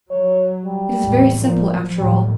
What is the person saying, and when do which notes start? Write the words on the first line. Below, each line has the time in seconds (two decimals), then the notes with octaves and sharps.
It is very simple, after all.
0.10 F#3 C#5
0.65 G3
1.02 A1 E2
1.41 A#2 F3
1.97 D#2 A2 G3